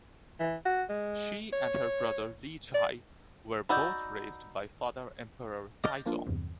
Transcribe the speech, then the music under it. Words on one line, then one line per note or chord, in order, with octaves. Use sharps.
She and her brother Li Zhi were both raised by father Emperor Taizong.
E3
F#4
G#3
C#5
D5
D#4 F#4 D5 B5 E6 G6
D#5 D6 F6 G6 A6 A#6
F3 A#3 D4 F4
E2 G2 C3